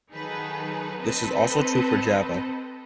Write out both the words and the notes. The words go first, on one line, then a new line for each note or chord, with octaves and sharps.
This is also true for Java.
D#3 F#3 D#4 G#4 A4 B4
C4 A4 B4 D#5